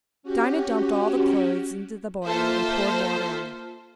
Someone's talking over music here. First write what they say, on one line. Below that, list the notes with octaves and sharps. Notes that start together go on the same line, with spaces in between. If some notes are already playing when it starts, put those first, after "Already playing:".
Dinah dumped all the clothes into the boiler and poured water on them.
C#4 F#4 G4
A#3 F4 A4 C5 E5